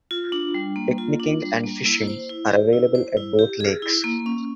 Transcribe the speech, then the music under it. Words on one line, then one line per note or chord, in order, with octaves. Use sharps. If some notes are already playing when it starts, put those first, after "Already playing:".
Picnicking and fishing are available at both lakes.
F4
D4
G3
A#3
F4
D4
G3
A#3
E4
C5
E4
G4
E4
C5
E4
G4
G#4
E4
A#3
C#4